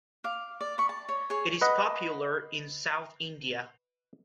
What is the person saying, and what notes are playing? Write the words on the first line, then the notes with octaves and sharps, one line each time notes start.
It is popular in South India.
F5 D6
D5
B5 C#6
A5
C#5
G#4 C#5
B4 D#5 F#5